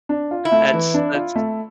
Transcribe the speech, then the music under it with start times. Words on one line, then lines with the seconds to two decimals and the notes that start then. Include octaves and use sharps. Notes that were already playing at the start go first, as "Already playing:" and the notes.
That's that's,
0.09 D4
0.31 F4
0.45 E4
0.52 A3
0.74 E3
0.94 D4
1.14 F4
1.36 A3